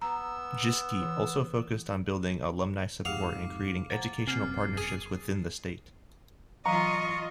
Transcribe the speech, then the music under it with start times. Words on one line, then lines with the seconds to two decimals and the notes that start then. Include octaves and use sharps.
Jischke also focused on building alumni support and creating educational partnerships within the state.
0.02 B3 A#5 E6
1.02 E3
3.05 F2 G#2 G4 G#4 F5 F#5 D6
3.90 C5 F#5 A#5 A6
4.27 C3 A#3 C4 F6 C7
4.43 E1 F#2
4.77 G#4
6.66 E3 F#3 F4 D#5 F5 A#5 C#6